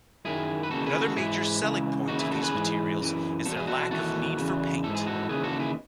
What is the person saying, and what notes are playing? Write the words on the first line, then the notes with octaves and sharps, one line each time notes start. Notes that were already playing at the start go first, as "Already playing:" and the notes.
Another major selling point of these materials is their lack of need for paint.
F#2 D#3 E4 G#4
B4
D#2 C#3 E3 F#4 A4
G#4 B4
F#4 A4
G#2 E3 E4 G#4
C#2 C#3 E3
D#2 C#3 E3 D#4 F#4
E4 G#4
F#4 A4
G#4 B4
G#2 E3
F#2 E3
E2 B2 A4
G#4
F#4 A4
D#2 C#3 E3 F#4 A4
E2 C#3 E3
G#2 E3 A4
G#4
F#4 A4
D#2 C#3 E3 G#4 B4
F#4 A4
E4 G#4